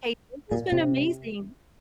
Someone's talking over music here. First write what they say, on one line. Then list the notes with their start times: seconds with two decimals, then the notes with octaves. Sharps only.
Hey, this has been amazing.
0.51 A#2
0.72 C3